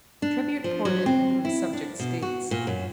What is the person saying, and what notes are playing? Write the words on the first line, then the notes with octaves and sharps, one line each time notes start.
Tribute poured in from the subject States.
D4
F3
F#3
C4
E4
D4
B2
F#4
A#2
F#2